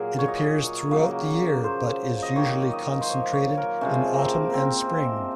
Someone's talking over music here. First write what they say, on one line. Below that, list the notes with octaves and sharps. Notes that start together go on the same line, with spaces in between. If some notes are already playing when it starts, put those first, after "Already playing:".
It appears throughout the year but is usually concentrated in autumn and spring.
Already playing: A#2 F#3 A#3 G#4 A#4
C#5
D#5
C#5
C#3 F#3 A#3
C5
D#5
D#3 A#3 C#5
D#5
C5
C#5
C#5
A#4
C3 F3 G#3 C#4
A#3 C4
A#3 C4